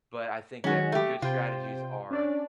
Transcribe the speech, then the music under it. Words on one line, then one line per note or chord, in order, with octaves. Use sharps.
but I think that good strategies are,
D#3 F#3 G#3 C#4 F#4
A3 G4
C3 F4 C5 G5
C#4 D4 D5